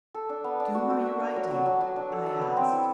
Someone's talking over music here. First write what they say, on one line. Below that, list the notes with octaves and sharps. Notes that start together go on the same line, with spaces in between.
"To whom are you writing?" I asked.
A4
D4
B3
D4
F#4
F#4
E5
D4
F#3
F#3
F#3
F#3
D4
A4
A4
B3
C4
E4